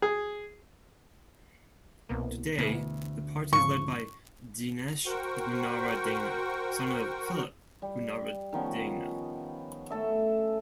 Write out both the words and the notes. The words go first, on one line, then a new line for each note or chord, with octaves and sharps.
Today the party is led by Dinesh Gunawardena, son of Philip Gunawardena.
G#4
C2 B2 A#3
D2 B2 E3
G#2 C#3 F3 C#6
F#4 A#4 C5 F#5 G5 C#6
G3
D#3 F3 B3 C#4
A3 A4 E5